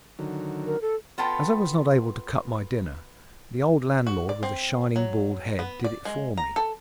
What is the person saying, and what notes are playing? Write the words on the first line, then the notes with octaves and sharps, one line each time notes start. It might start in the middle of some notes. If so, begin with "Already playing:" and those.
As I was not able to cut my dinner, the old landlord with a shining bald head did it for me.
D3 D#3 F#3
A#4
A4
B3 F4 A4 G5 A#5
F#4
D5
C4
F#3
B3
D5
G#3
A#5
A4